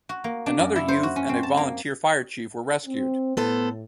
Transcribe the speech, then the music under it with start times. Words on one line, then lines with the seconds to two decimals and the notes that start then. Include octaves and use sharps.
Another youth and a volunteer fire chief were rescued.
0.09 F#4
0.24 A#3
0.46 D4
0.59 F#2
0.76 E4
0.88 C5
1.03 F#4
1.16 C#4
1.29 C4
1.43 A5
1.57 A#3
2.87 C4
3.37 A2 B3 A4 C5